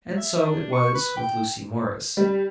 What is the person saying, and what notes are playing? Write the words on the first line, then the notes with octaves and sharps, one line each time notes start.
And so it was with Lucy Morris.
E5
D4
C#6
B4
G5
G3